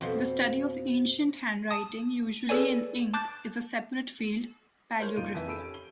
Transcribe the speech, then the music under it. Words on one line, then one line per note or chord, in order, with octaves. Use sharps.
The study of ancient handwriting, usually in ink, is a separate field, palaeography.
F2 B2 F3
A5 D#6
G#4 A4 B4 C#5 D5 G#5
A5 D6 F#6 G6 A6
A#4 C5 C#5 C#6 G6
F#1 A#2 D#4 F4 D7 D#7
F2 E3 E5
G#4 A4 B5 E6 D7
C#4 G4 A4
G7